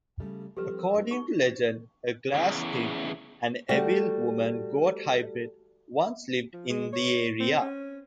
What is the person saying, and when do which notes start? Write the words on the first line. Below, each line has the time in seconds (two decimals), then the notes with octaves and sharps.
According to legend a glaistig, an evil woman-goat hybrid, once lived in the area.
0.20 C#3 G3 A3
0.57 F3 G3 C4 G4 A4 B4
0.79 A#4
0.96 A3 B3 D4
1.11 D#4 C#6
2.34 E2 C#3
3.69 G3 A3 F#4
6.53 F3
6.70 G#3
6.93 C#5
7.40 C4
7.61 C#4